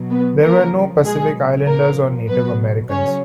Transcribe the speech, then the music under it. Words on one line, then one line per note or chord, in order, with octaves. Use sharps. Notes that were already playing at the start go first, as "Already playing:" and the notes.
There were no Pacific Islanders or Native Americans.
Already playing: B2 F#3
B3 B4
C#3 F3 A#3 A#4
B2 F#3 G#3 G#4
A#2 F3 A#3 A#4
B2 F#3 B3 B4
C#3 F#3 C#4 C#5